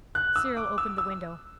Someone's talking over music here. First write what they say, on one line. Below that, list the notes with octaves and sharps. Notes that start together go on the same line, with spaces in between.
Cyril opened the window.
F#6
E6
D6
E6
E6